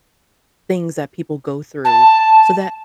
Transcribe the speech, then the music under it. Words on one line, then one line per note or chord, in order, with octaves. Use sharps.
things that people go through so that
A5